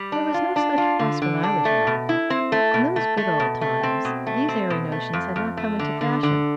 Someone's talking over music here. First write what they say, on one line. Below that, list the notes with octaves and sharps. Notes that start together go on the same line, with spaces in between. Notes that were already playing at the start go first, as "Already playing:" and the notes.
There was no such fuss when I was young; in those good old times these airy notions had not come into fashion.
Already playing: G3
D4
F4
D4
F4
D3
D3
D4
A3
B2
E4
C4
A3
B2
A3
A3
B2
A3
C4
B2
A3
C4
B2
A3
F2
F2
A3
D3
D3
D3